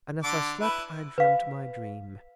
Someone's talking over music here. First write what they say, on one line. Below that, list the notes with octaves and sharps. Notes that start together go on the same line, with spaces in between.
And as I slept I dreamed my dream.
D3 D6
E4 B4
B4 F5